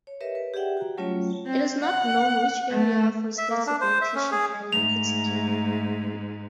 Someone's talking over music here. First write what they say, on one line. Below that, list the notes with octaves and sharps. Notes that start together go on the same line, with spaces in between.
It is not known which area of responsibility she had in particular.
C#5
G4 A#4 B4 C#5 D#5 E5
B4
G4 G#4 D5 E5 F#5 G5
F#4 A#5
F#3 G3 A3 C#4 F4 C#5
C4
F#5
A3
E5
A#3
D4
C5
E5
C#4
G#4
G#2 A3 F7